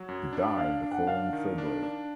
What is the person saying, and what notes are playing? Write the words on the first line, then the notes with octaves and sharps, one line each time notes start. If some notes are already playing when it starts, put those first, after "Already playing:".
He died the following February.
Already playing: F#3
F#2
D4
D4 F5
D4
F#5
D4 F5
D#3
D4
D4